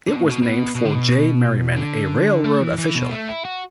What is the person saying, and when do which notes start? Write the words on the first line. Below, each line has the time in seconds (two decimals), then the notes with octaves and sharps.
It was named for J. Merriman, a railroad official.
0.09 D3
0.16 B2
0.23 A2
0.30 B2
0.43 B2
0.75 B2
0.85 D3
0.95 B2
1.76 D3
2.44 A3
2.61 E3
2.78 E3
2.95 B2
3.11 A3
3.29 E4
3.45 F#4